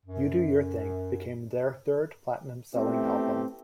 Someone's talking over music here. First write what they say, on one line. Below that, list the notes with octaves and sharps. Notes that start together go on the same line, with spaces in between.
"You Do Your Thing" became their third platinum-selling album.
F#2
A3 B3 C4 E4 G4 E5